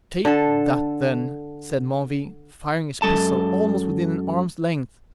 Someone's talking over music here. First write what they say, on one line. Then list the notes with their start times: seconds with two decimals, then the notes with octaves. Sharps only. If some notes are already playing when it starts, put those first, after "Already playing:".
"Take that, then!" said Menneville, firing his pistol almost within an arm's length.
0.25 D3 A4
3.02 F#2 G#3 A4 A5